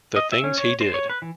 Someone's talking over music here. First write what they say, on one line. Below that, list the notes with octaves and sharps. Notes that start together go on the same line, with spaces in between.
The things he did.
D#5
E5
C#4
C#5
C5
C#5
B4
E3